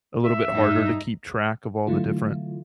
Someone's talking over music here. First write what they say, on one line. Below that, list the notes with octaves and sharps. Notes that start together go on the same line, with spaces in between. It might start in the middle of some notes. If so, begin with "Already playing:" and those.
a little bit harder to keep track of all the different
E5
G2 D#4
D3 E3 F#3 A3 E4 F4